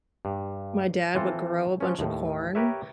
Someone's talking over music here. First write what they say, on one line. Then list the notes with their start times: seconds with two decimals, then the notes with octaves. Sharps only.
my dad would grow a bunch of corn,
0.25 G2
1.15 E3 C4 F4 A4
1.81 F3 C#4
1.99 D#2 A2
2.55 G4 A#4 B4 C#5 E5